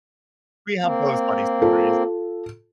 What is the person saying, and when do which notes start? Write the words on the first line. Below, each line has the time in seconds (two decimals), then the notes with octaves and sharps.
we have those funny stories.
0.82 A#3 C4
1.62 F4 A4